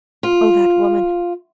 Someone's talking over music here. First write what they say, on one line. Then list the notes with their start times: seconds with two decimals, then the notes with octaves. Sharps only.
Oh, that woman!
0.23 F4